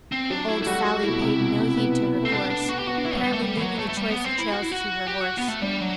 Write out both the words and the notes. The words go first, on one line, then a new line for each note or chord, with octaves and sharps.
Old Sally paid no heed to her course, apparently leaving the choice of trails to her horse.
C4
F#3 D4
E4
A3 E4
G3 F#4
F#4
E4
B2
C3
B2
C3
B3
A3 C4
B3 D4
D4
F#4
G4
B3 F#4
D4
E4
F#3
G3
A3
G3
E3
F#3
A3
A3
G3
B3
C4
E4
F#4
E4
F#4
G4
F#4
B3
A3
G3 D4
F#3